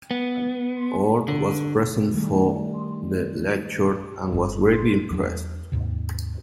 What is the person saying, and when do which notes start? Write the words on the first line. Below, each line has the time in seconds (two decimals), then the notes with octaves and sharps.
Oort was present for the lecture and was greatly impressed.
0.11 B3
1.28 D3
2.14 D#3 G3 A3
4.32 G1 G2
5.10 E2 F#3 D4
5.72 D#2 G#2 C3